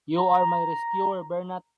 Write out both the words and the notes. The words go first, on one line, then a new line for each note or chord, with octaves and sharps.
You are my rescuer, Bernat!
A#5